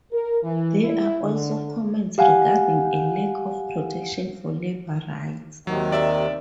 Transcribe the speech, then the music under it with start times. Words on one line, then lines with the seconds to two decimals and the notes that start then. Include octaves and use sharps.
There are also comments regarding a lack of protection for labour rights.
0.12 A#4
0.43 E3
0.81 E4
1.23 D3
2.18 G4 F5 F#5 G#5
5.67 D#2 C3 D#3 F#3
5.92 D5 E5 E6